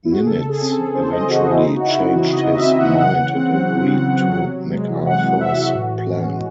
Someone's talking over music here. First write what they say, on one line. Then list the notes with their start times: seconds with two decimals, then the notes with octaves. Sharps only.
Nimitz eventually changed his mind and agreed to MacArthur's plan.
0.05 E4
0.12 F#4
0.20 G#4
0.27 C#3 A4
0.45 C#3 G#4
0.62 C4
0.73 A4
0.78 E3
0.95 C#3 C5
1.12 C#3 D#5
1.29 C4 F#4
1.46 E3 E4
1.63 C#3 D#4
1.76 F#4
1.82 C#3
1.87 E4
1.98 C4
2.10 F#4
2.15 E3
2.33 C#3 D#5
2.50 C#3
2.55 E5
2.66 C4
2.78 F#5
2.84 E3
3.00 C#3 F#5
3.19 C#3
3.35 C4
3.52 F#3
3.69 C#3
3.86 C#3
4.04 C4
4.21 F#3
4.38 C3
4.54 C3
4.72 G#3
4.89 E3
5.06 C3 F#5
5.24 C3 F#5
5.40 G#3 E5
5.58 E3 F#4
5.75 A2
5.92 A2
6.09 C#4
6.27 G#3